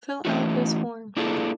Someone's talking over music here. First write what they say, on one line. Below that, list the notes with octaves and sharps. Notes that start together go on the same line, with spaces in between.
Fill out this form.
E3 A3 C#4 D#4 E4 F#4
A#3 D4 E4 F4 G#4 A4